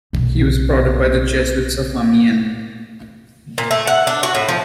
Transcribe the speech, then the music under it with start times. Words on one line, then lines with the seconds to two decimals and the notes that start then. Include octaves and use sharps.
He was brought up by the Jesuits of Amiens.
0.13 B1 A#2
3.58 A#2
3.71 A3
3.87 F#5
4.07 D4
4.23 F#4
4.35 A2
4.48 F3